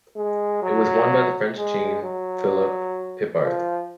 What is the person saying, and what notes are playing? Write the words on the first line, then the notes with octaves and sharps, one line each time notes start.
It was won by the French Jean-Philippe Pipart.
G#3
F#3
G#3
F#3
F3